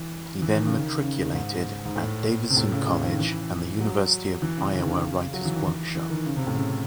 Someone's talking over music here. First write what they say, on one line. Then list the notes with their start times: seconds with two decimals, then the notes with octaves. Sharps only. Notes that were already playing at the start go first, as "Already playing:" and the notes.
He then matriculated at Davidson College and the University of Iowa Writers' Workshop.
Already playing: E3
0.42 E3
0.55 D#3
0.67 C#3
0.79 D#3
1.03 C#3
1.24 D#3
1.34 G#2
1.85 G#2
1.96 A2
2.50 C3
2.57 A2
2.73 C#3
2.87 C#3
3.03 D#3
3.19 E3
3.80 F#3
4.42 E3
4.57 C#3
4.73 C#3
4.81 D#3
4.90 C#3
5.34 F#3
5.45 E3
5.55 D#3
5.67 E3
5.95 E3
6.10 D#3
6.26 C#3
6.36 C3
6.47 A2
6.56 C#3